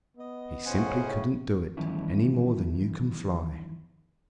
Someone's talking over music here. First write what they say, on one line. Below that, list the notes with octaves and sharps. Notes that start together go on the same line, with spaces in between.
He simply couldn't do it, any more than you can fly.
B3 D#5
A2 C#3 C#4 C5 F#5 G#5
E2 G2 D#3 F3 C#4 E4